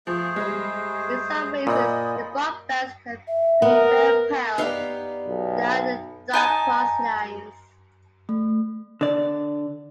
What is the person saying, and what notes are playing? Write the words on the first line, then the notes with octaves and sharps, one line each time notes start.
In some races the buff bands can be very pale.There are dark crosslines.
F3 A3 G#4 C5
G3 G#3
A#2 C5 D5 D#5 G#5 B5 D#6
E5
B3 A#4
B3 D#4 G4 B4 D5 F5
B1
D#4 G#5 A5
A3
D3 D5